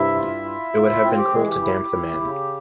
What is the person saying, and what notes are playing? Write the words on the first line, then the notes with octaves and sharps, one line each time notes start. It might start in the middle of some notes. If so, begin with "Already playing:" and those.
It would have been cruel to damp the man.
Already playing: G2 C3 E4 E5
F4
F4
F4
C4 F4
G4
E3 G#3 G#4
G4
E4
E4
C#3